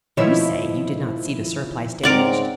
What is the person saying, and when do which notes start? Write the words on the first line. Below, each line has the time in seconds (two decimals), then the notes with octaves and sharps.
"You say you did not see the surplice damaged?"
0.17 B2 D#3 F3 E4 C#5 E5
2.03 G#2 C#3 C4 A#4 D5 F#5